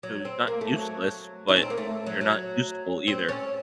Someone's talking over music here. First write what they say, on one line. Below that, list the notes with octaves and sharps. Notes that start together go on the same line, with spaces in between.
so, you're not useless, but you're not useful either."
F#3
C4
A#3
A3
F#3
D#4
C#4
C4
A#3
A3
F#3
F#3
C4
C#4